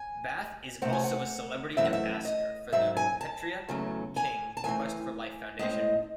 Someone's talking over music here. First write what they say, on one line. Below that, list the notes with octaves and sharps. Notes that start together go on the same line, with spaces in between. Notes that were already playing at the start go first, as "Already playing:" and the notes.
Bath is also a Celebrity Ambassador for the Petrea King Quest for Life Foundation.
Already playing: G#5
C3 F#3 A3 C4 F#5
G#5
F#5
F#2 E3 A3 C4 E5
F#5
E5
D#5
G#2 F#3 C4 E5
G#5
A5
E2 C#3 F#3 A3
G#5
A5
F#2 E3 A3 C4 G#5
A2 G#3 C4 D#5